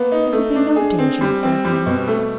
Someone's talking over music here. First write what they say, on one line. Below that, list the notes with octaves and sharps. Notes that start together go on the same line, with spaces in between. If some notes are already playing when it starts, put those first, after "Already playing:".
There could be no danger in five minutes.
Already playing: A#3 B3
D#4
A3
D4
G#4
C4
G3
C4
G3
B2
A3